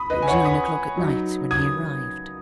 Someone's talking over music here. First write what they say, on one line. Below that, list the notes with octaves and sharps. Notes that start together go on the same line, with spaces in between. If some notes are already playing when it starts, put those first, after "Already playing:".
It was nine o'clock at night when he arrived.
Already playing: B5 D#6
B4 D#5
G#5
C#5 F#5
B5 D#6
F#3 D#4
D#6 G#6